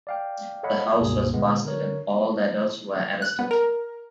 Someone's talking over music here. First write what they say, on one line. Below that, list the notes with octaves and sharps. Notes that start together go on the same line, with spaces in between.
The house was busted and all adults were arrested.
D5 F5 G5
A4 C#5 D#5 F5 F#5 B5
C#2 G2 B2 A#3 G#4
A#2 D3 G#3 B3
D3 A#4 C#5
F#6
B3
A#4